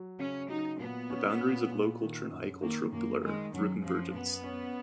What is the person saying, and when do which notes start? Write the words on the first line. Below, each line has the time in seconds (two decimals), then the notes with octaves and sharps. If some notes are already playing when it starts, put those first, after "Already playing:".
The boundaries of low culture and high culture blur, through convergence.
Already playing: F#3
0.19 C#3 C#4
0.49 F#3 D#4
0.80 A#2 B3
1.10 C#4
1.41 A#2
1.71 A#2
2.02 D#3
2.31 F#2
2.61 D#3 A#3
2.92 F#2 A#3
3.23 D#3 G#3
3.53 F#2 F#3
3.83 F#2 F3
4.14 F#2 B3
4.43 C#4